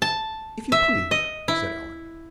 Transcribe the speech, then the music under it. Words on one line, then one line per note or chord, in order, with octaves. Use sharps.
"If you please," said Allan.
A5
E5
D#5
E4